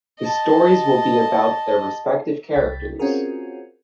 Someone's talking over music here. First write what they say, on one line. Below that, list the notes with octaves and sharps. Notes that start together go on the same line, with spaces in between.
The stories will be about their respective characters.
D#5 A5
C2 G5 A6 B6
C4 C#4 F4 F#4 G#4 A#4